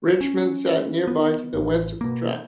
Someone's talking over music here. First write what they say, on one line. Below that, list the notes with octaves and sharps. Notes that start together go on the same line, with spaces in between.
Richmond sat nearby to the west of the tract.
C#4
B3
A1
B2 A#3